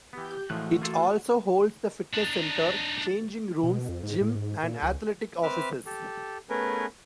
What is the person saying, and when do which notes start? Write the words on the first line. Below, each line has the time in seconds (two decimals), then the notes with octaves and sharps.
It also holds the fitness center, changing rooms, gym, and athletic offices.
0.13 E3 B3 G4 G6
0.50 A2 E3 F3 G#3 A3 F#4 F#6
0.82 A#3 F4 A4
2.14 D4 D#4
3.63 B2
3.89 F2
4.03 G#2
4.21 A2
4.35 G#2
4.63 A#2
4.82 C#2
5.43 C4 B4 E5 D6 F6
5.86 G4 A4
6.50 A3 B3 C#4 G#4 A#4 B4